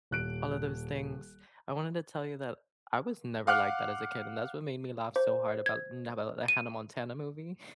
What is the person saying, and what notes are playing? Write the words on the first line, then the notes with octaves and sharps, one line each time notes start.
all of those things. I wanted to tell you that I was never like that as a kid, and that's what made me laugh so hard about n about the Hannah Montana movie.
D#1 F#6 D7
F5 F#5 D6 F6 F#6
C5
G#6
D#7